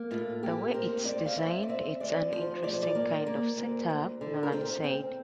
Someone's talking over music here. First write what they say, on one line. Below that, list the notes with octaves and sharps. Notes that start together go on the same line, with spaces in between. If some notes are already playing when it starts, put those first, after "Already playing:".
The way it's designed, it's an interesting kind of setup, Nolan said.
Already playing: A#3
A2 F4
A#3 G4
C4 A#4
C4 D5
F5
C4 E5
D5
C4 E5
D2 D5
F3 C5
A2 D5
C5
D5
A#3
A#3
D2
D2
D3
A#4
C4 C5
C4